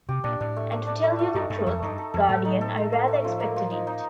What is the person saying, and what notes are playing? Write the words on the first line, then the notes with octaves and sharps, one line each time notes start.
And to tell you the truth, guardian, I rather expected it.
C3 G4
A#2 D4
A2 D4
A3
A3
D4
A3
A3
G2 D#4
G2 A4
F2 A3
G2 D#4
A4
F2 A4
A2 A3
D#4
A4
A3
A3
A3
F3
A#3
F3
D#4
D#4